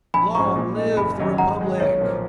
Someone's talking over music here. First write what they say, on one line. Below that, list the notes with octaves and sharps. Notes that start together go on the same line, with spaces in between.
"Long live the Republic!"
A#1 G#5 B5
G#2 F3 G#3 C#4 A#5 C#6
A#2
G#3 D#4
F#1 G#5 B5
F#2 D#3 F#3 C#4
G#2 F#5 A#5
D#3 G#3 D#4
B1 C#5
A#2 F3 A#3